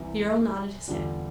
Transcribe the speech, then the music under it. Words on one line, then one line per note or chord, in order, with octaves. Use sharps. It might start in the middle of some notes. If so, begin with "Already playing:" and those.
The Earl nodded his head.
Already playing: C2 C3 E3
E2 D3 G3 D4 F4